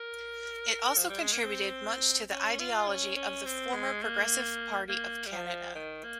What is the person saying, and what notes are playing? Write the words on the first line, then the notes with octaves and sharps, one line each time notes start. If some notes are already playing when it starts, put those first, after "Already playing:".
It also contributed much to the ideology of the former Progressive Party of Canada.
Already playing: A#4
F3
G3
G#3
A#3
C4
C#4
F4
C#4
C#4
C4
G#3
A#3
A#3
G3
F3
D#3
A#3